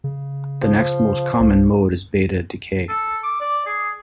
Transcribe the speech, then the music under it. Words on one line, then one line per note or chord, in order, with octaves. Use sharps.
The next most common mode is beta decay.
C#3
F3
C2
A4
D6
D5
G#4